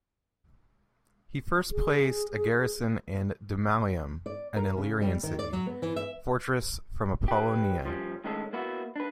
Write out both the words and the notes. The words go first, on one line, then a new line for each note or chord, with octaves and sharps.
He first placed a garrison in Dimallum, an Illyrian city-fortress from Apollonia.
G#4
D5
A#4
C#3
G3
D#3
D5
F#3
B3
E3
E5
G4 B4
F3 G3 C#4
A2 D#3 G#3 C#4 G#4 A4
A#3 B3 E4 F#4
D4 B4